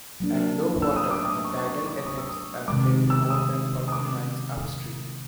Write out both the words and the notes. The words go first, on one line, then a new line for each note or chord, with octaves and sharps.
At low water the tidal effects are felt more than forty miles upstream.
F#3 A#3 D4
E6
D#6
D6
D#6
C#6
C#6
C#6
D6
D#6
E6
D#6
C3 D#3 G#3 D6
E6
D#6
D#6
D6